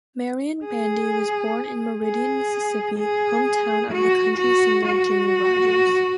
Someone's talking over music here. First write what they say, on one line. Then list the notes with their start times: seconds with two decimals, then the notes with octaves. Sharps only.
Marion Bandy was born in Meridian, Mississippi, hometown of the country singer Jimmie Rodgers.
0.65 G#4
2.05 G#4
2.99 G#4
3.92 F#4
4.39 F#4
4.86 F#4